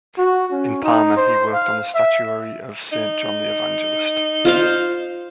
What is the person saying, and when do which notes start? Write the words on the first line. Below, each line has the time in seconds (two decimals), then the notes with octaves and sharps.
In Parma he worked on the statuary of Saint John the Evangelist.
0.18 F#4
0.52 C#4
0.83 D#4
1.17 C5
1.53 F5
1.94 E5
2.93 D#4
4.45 F4 C5 F5